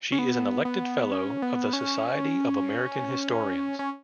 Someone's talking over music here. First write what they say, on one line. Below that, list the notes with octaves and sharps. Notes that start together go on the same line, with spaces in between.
She is an elected Fellow of the Society of American Historians.
C#4
B3
B3
C#4
B3
C#4
C#4